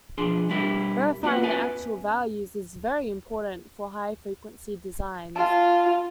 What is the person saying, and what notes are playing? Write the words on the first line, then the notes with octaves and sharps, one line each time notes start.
Verifying the actual values is very important for high frequency designs.
B2 F3 D4 G#4 C6
B2 G3 D4 E4 G4 A#4
A#3 B3 F4 F#4 B4 F#5
B3 C#4 B4 E5 G#5 A5
F4 F5 A5